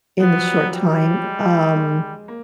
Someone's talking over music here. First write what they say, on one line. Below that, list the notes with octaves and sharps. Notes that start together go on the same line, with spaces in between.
in the short time, um
F3 B3
F#3
G3
F#3
F#3 G3
G#3
G#3
A#3